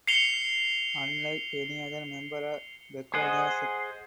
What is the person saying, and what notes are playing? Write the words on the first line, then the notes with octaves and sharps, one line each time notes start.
Unlike any other member of Begonia sect.
C7 C#7 F7 G7
G#4 C5 D#5 F#5